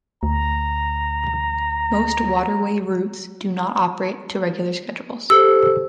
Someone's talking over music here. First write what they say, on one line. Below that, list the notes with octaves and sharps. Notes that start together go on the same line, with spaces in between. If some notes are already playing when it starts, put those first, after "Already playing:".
Most waterway routes do not operate to regular schedules.
D2 A#5
G4 A4 C5 E6